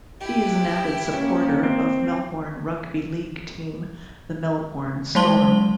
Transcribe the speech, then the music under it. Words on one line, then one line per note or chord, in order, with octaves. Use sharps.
He is an avid supporter of Melbourne rugby league team the Melbourne Storm.
E4 G4
A#3 C#4
C4
F#3 G#3 C5 A5 C6 G7